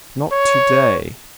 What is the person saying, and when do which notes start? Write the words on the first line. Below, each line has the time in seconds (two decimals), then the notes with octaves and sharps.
"Not to-day."
0.32 C#5